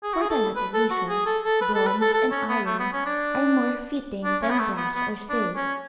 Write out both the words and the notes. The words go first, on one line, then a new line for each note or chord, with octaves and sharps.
For the latter reason, bronze and iron are more fitting than brass or steel.
G#4
F#4
G#4
A4
B4
A4
F#4
G#4
A4
A4
B4
A4
B4
A4
A4
C#4
B3
A3
B3
C#4
D4
D4
C#4
B3
A3
B3
B3
D4
C#4